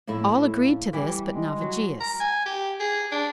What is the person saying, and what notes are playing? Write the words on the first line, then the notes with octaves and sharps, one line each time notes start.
All agreed to this but Navigius.
F2 A2 A#3 E4
E3 G3
G#3
F#3
A#5
G#5
G4
G#4
D4